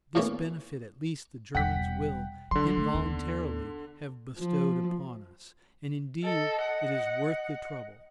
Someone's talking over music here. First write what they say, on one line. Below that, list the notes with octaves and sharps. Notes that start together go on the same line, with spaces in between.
This benefit at least the Germans will, involuntarily, have bestowed upon us, and indeed it is worth the trouble.
E2 A#2 E3 A3 C#4
E1 G3 F#5 G5 B6
D3 F#3 C6
A3
D#2 B3
F3
A4 D#5
F#5